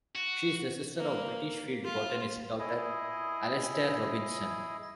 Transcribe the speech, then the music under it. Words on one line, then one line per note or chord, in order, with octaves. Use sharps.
She is the sister of British field botanist Doctor Alastair Robinson.
F#4
A#3
F4
E4 G#4 D#5